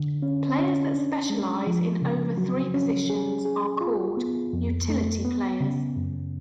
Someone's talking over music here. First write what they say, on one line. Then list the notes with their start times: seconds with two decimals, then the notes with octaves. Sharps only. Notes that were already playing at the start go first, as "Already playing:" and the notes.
Players that specialise in over three positions are called "utility players".
Already playing: D3
0.22 C#4
0.59 C#4
0.94 D4
1.30 G#3
1.67 F3
2.02 C#3
2.38 F#3
2.74 C#4
3.10 G#4
3.45 G#4
3.81 F4
4.17 B3
4.53 F2
4.88 A3
5.25 B3
5.60 C#3
5.96 F#2